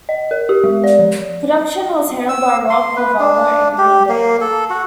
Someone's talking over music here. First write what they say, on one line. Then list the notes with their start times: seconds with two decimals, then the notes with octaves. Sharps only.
Production was handled by Rob Cavallo and Green Day.
0.09 D#5
0.31 A#4
0.49 G4
0.64 G#3
0.84 D5
0.99 F3
2.29 E6
2.70 C6
2.97 B4
3.20 D4
3.78 G4
4.09 A#3
4.41 A4
4.70 F#4